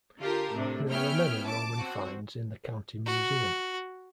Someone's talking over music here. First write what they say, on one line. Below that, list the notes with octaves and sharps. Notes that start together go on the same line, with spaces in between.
There are many Roman finds in the County Museum.
D3 F4 G4 A4 A#4
A2 C3 D4
B3 C#4 E4 E5 G5 F6
A5 D6
C4 F#4
F#4